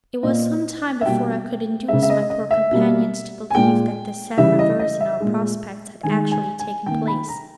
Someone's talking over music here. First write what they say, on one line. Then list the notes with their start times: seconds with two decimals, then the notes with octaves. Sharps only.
It was some time before I could induce my poor companions to believe that this sad reverse in our prospects had actually taken place.
0.23 A#2 A#3 D#5
1.01 E5
1.06 B2 G3 A#3 G5
1.88 C#3 G#3 E5
2.03 E5
2.10 D#5
2.30 D#5
2.51 E5
2.71 B2 G3 A#3
3.50 G#5
3.55 A#2 G#3 G5
4.37 C#3 E3 G3 E5
4.59 D#5
4.79 D#5
5.01 E5
5.20 A#2 G#3
6.03 D#3 G#3 G#5
6.31 G#5
6.59 G#5
6.86 D#3 A#3 G5
7.07 B5
7.28 A#5